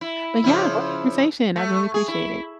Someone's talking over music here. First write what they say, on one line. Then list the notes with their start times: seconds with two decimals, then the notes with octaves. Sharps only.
But, yeah, gr conversation. I really appreciate it.
0.01 E4
0.44 C#3 F3 E4
1.56 A3
1.94 G#4
2.08 E4